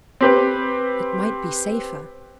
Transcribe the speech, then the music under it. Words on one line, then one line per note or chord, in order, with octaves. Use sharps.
It might be safer.
C4 G4 B4